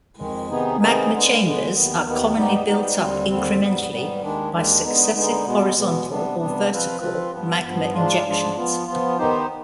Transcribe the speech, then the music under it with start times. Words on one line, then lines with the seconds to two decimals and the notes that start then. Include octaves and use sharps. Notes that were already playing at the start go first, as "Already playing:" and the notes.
Magma chambers are commonly built up incrementally, by successive horizontal or vertical magma injections.
0.18 F2 D#3 G#3
0.49 C3 D#3 B3 D#4 G#4
0.80 C3 D#3 B3 D#4 G#4
1.11 D3 G#3 B3
1.42 D3 G#3 B3
1.73 D#2 D#3 B3
2.04 D#2 D#3 B3
2.35 G#2 G3 B3 D#4 G4
2.67 G#2 G3 B3 D#4 G4
2.97 D#2 D3 G3 C4
3.29 D#2 D3 G3 C4
3.60 G#2 G3 B3
3.90 G#2 G3 B3
4.21 D#2 D#3 G#3 D4
4.52 D#2 D#3 G#3 D4
4.83 D3 G#3 B3 D#4
5.15 D3 G#3 B3 D#4
5.46 B2 G#3 B3
5.77 B2 G#3 B3
6.08 C3 G3 B3 D4
6.39 C3 G3 B3 D4
6.70 F3 C4 F4 B4
7.00 F3 C4 F4 B4
7.31 G2 F3 B3
7.63 G2 F3 B3
7.94 G#2 F3 G#3 D4 F4
8.25 G#2 F3 G#3 D4 F4
8.56 F3 B3 F4
8.87 F3 B3 F4
9.18 D#3 B3 D#4 G4 C5